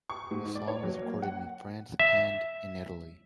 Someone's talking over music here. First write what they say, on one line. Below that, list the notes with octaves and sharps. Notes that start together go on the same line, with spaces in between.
The song was recorded in France and in Italy.
C#6
G#2
D5
C#5
F#3
A#3
F#5
E5